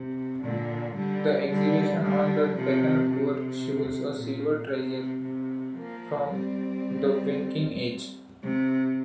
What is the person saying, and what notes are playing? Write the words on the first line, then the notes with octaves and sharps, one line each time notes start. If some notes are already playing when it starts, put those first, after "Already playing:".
The exhibition on the second floor shows a silver treasure from the Viking age.
Already playing: C3
A#2 D3
D3 G3
D3 G3
D3 G3
C3 F3
C3
A#2
C3
C3
F3 A#3
G3 C4
C3